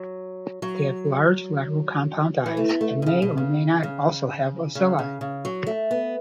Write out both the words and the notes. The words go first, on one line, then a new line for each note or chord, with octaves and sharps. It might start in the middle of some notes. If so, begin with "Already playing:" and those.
They have large lateral compound eyes, and may or may not also have ocelli.
Already playing: F#3
F#3
E3
A3
B3
A3
B2
C#3
B2
C#3
C#3
C#3
C#3
C#3
F#3
A3
B3